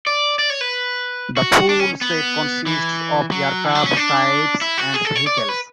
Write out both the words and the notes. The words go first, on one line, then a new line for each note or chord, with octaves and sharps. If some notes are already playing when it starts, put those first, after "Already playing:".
The full set consists of aircraft types and vehicles.
D5
D5
C#5
B4
F#4
D4
C#4
B3
E3
F#3
E3
F#3
C#4
D4
E4
F#4
G#4
A4
C#5
D5
C#5
B4